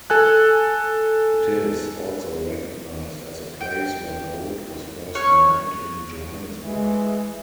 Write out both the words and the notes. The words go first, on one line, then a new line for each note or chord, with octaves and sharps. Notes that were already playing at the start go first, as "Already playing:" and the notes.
It is also recognized as the place where gold was first mined in Johannesburg.
A4 G#5 F#6
G5
C#5 C#6 F6 F#6
E3 G#3